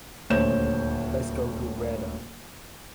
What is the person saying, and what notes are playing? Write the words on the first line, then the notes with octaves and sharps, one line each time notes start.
Let's go to Breda.
D#1 D2 C5 C#5 G6 E7